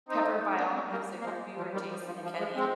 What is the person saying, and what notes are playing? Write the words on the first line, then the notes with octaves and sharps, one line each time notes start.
Pepper by Allmusic reviewer Jason Ankeny.
C4 D#4
A#3 D4
G#3 C4
G3 A#3
A#3
F3 G#3
F3
D#3 G3
F3
F3
F3
F3 G#3
G#3 C4